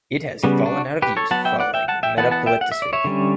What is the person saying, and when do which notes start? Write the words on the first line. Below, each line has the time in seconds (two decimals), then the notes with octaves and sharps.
It has fallen out of use following Metapolitefsi.
0.44 C#3 G3 B3
0.66 D4 F#4
1.02 G4 B4
1.17 A4 C#5
1.31 F#3 B3 F#5 A5
1.45 E5 G5
1.60 D5 F#5
1.74 E5 G5
1.88 F#5 A5
2.03 E5 G5
2.17 E3 B3 F#5 A5
2.31 F#5 A5
2.46 E5 G5
2.61 F#5
2.72 E5
2.82 D5
2.93 C#5 E5
3.05 D3 G3 C#4